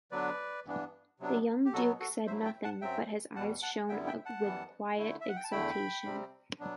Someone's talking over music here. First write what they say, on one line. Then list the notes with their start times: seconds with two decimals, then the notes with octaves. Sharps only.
The young Duke said nothing, but his eyes shone with quiet exultation.
0.11 D3 F#3 B3 D4 B4 D5
0.66 G2 E3 B3 D4
1.20 C3 F#3 B3 D4
1.65 G4
1.73 B2 F#3 B3 F#4 A4
2.00 F#4 A4
2.27 G2 F#3 A3 E4 C5 E5
2.45 E5 G5
2.64 F#5 A5
2.81 F#2 F#3 C4 E5 G5
3.36 E2 B2 G3 F#5 A5
3.62 F#5 A5
3.89 F#2 D3 G3 B3 E4 E5 G5
4.07 E5 G5
4.25 F#5 A5
4.43 F#2 E3 G3 B3
4.98 D3 A3 E4
5.21 E5
5.29 F#5
5.36 G5
5.44 A5
5.52 E2 D3 A3 E4 G5 B5
6.05 C3 G3 C4
6.59 B2 F#3 B3 D4